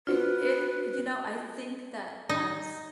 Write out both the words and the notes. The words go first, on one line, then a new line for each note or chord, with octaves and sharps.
It it you know, I think that as
D4 F4 F#4 B4 C5
D#4